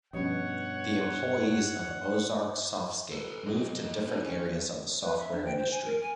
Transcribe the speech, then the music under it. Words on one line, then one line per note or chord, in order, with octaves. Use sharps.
The employees of Ozark Softscape moved to different areas of the software industry.
G2 B2 F3 C#4 C#5 F#5
A4 B4
F#3 D#5
A2 F#3 D#5
C4 D#4 G#4
C#4
B4
E5
D4
G5
C5
G#5
A#4
G#5